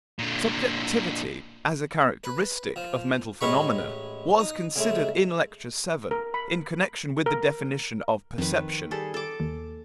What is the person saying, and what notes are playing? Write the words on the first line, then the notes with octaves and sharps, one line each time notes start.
Subjectivity, as a characteristic of mental phenomena, was considered in Lecture VII, in connection with the definition of perception.
A#2 D3
B4
F3
A1 G#3 C#4 A#5 B5 C#6
D#4
C#3 G#3 A3
A#4
B5
A#4
F2 D#3 B4
G3 G#4 A4
A4 D6
D#2